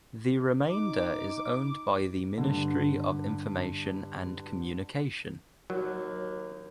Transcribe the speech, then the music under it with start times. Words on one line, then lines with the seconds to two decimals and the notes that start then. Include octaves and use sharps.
The remainder is owned by the Ministry of Information and Communication.
0.69 D#4 D6
2.38 G2 D3
5.70 D#2 F#3